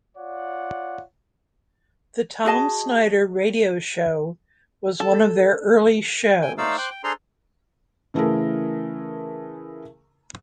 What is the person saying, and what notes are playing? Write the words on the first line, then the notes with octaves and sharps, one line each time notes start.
The Tom Snyder Radio Show was one of their early shows.
F4 C#5 D5 F#5
F#4 G#4 D#5 A5
A4
G5 G#5
A3 D#4 C5 D5 F5 E6
C5 G5 D6 F#6
G5
D4 G#4 A4 C5 A#5 C6
C#3 E3 A3 E4 G#4 A#4